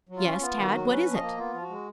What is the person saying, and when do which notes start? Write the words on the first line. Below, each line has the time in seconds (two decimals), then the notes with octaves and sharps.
"Yes, Tad; what is it?"
0.09 F#3
0.16 F4
0.25 C#4
0.40 B3 F4
0.57 D#3
0.65 F#4
0.72 F#3
0.89 C#4 B4
1.05 F3
1.13 D#5
1.21 A#3
1.37 B3 F4
1.54 F3
1.62 F#4
1.69 G#3